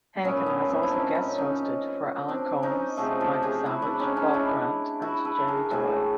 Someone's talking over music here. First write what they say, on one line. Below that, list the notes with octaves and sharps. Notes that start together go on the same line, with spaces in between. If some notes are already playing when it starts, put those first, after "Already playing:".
Henican has also guest-hosted for Alan Colmes, Michael Savage, Bob Grant and Jerry Doyle.
A#2 F#3 A3 B3 C#4
B3 C#4
C4 D4
E4
C#4 D#4
C#4 D#4
C#4 D#4
C4 D4
C#4 D#4
C3 F3 A3 F#4 G#4
F4 G4
F#4 G#4
E4 F#4
D4 E4
C#4 D#4
C#4 D#4
D4 E4
E4 F#4
A4 B4
G#4 A#4
A2 E3 A3 F#4 G#4